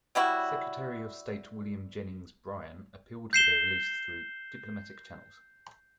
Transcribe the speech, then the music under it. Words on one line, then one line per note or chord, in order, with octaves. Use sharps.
Secretary of State William Jennings Bryan appealed for their release through diplomatic channels.
F#3 G3 E4 F#4
G6 C7 E7 G7